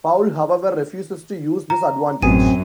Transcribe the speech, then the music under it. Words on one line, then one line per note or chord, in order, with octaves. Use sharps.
Paul, however, refuses to use this advantage.
A#5
A1 F#2 B2 C4 G#4 D#7